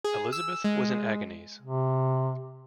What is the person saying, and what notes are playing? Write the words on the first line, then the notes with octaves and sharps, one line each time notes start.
Elizabeth was in agonies.
G#4
E6
G#3
C3